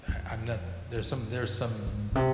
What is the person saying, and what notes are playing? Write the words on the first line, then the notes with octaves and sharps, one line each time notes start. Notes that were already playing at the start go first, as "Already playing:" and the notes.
uh, I'm not there's some there's some,
F2
G2
G#2
A#2
C3